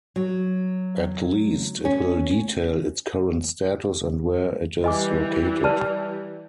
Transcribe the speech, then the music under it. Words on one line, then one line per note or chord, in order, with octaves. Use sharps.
At least it will detail its current status and where it is located.
F#3
C#4
E3 G3 D#5 G#5 D6
B4 D5 A5